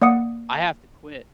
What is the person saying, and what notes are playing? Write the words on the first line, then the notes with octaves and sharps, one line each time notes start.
I have to quit.”
A#3 D5 F#5 D#6 C#7